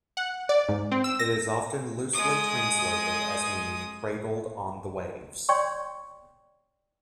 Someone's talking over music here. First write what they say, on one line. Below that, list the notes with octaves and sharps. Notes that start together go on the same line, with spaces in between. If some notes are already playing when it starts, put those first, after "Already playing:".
It is often loosely translated as meaning cradled on the waves.
F#5
D5
G#2
C4
E6
A#6
G#3 D#6
C#5 D5 G5 C6 C#6